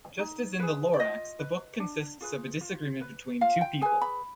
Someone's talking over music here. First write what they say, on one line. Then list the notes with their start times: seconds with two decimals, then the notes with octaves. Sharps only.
Just as in "The Lorax", the book consists of a disagreement between two people.
0.19 D#4
0.59 G#4 B4
0.94 D5
0.99 F4 D#5
1.39 B4
1.80 D4
2.21 F4 G#4 B4
2.61 F4
3.01 B4
3.41 F4 F5
3.61 G5
3.81 G#4 B4 G#5
4.01 B5